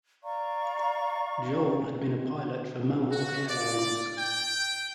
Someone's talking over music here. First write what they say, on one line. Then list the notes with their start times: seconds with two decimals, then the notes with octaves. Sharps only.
Joel had been a pilot for Mohawk Airlines.
0.24 D5 F5 A#5 C#6
3.11 F#4
3.47 D5
4.17 G5